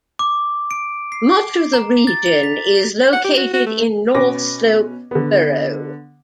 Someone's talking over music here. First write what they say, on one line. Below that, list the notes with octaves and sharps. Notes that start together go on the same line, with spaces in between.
Much of the region is located in North Slope Borough.
D6
D7
C7
A#5
A6
F7
B6
F#5
G4
F#4
F#4
A3
B2 C#4 B4 D6 A#6
D3 B3